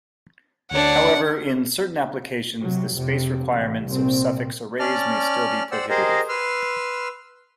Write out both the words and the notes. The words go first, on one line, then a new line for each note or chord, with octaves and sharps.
However, in certain applications, the space requirements of suffix arrays may still be prohibitive.
D2 D4 C#5 F#5
C3 F#3
F1 C3
A1
C2 A#2 C4
C#4 D5 A5 F6
C5 D5 F#5 G5 E6
G4 G#4 A#4 C5 D#5
B4 C6 E6 F6